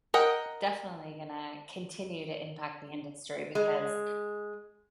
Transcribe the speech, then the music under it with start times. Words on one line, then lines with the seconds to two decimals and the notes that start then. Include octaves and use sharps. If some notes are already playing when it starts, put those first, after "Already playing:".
definitely gonna continue to impact the industry because,
0.14 A#4 D#5 F#5 G5
3.55 G#3